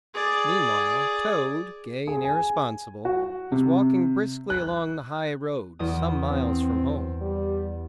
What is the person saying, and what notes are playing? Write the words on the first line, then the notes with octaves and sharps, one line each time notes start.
Meanwhile, Toad, gay and irresponsible, was walking briskly along the high road, some miles from home.
G#4 D5
G#4
G#5
F#4
C3
F#6
E2 D#6
C4
G3